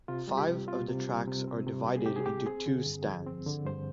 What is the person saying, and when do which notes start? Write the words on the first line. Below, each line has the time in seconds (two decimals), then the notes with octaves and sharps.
Five of the tracks are divided into two stands.
0.08 C3 F4
0.28 G3
0.38 G4
0.48 C3
0.68 C4 F4
0.88 C3
1.07 G3
1.28 C3
1.48 C4
1.67 C3
1.86 G3 G4
1.97 G#4
2.06 C3 G4
2.16 G#4
2.26 C4 G4
2.46 C4 G#4
2.66 D3
2.86 G2
3.06 F3
3.27 C4
3.46 D3
3.66 G2 C5